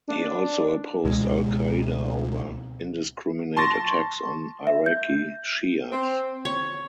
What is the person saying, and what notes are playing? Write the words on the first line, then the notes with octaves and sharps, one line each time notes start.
He also opposed Al-Qaida over indiscriminate attacks on Iraqi Shias.
D4
C#2 B2 G#3
A5 C6 C#6 A6 A#6
E5
G6
C4
C#5